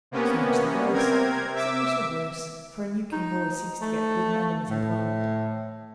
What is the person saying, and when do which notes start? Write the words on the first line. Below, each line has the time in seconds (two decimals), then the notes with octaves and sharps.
"So much the worse! so much the worse! for a new king always seeks to get good men in his employment."
0.11 C3 A#3 B3 C#4
0.93 C3 C4 A#4 G#6
1.55 E5 D6 E6
3.12 D#4
3.81 A3
4.70 A2